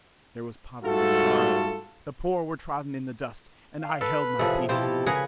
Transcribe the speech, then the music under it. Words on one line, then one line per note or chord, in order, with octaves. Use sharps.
There was poverty, sorrow; the poor were trodden in the dust, and I held my peace.
G#2 G3 A3 F4 F#4 A4
F5
A4 B4 F5
A2 C3 F3 G#4 A4
B2 F3 E4 G4 A4 C5
C#3 G#4 A#4 B4 F#5 G#5